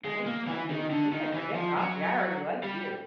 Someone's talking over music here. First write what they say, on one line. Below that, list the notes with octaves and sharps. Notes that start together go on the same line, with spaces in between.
Okay. She's like, "Forget coffee. I already like you."
G#3
A#3
E3
D#3
D3
D#3
E3
F3
F#3
G3